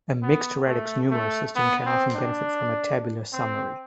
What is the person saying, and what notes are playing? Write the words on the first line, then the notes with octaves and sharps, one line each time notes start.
A mixed radix numeral system can often benefit from a tabular summary.
B3
A3
A3
B3
C4
D4
C4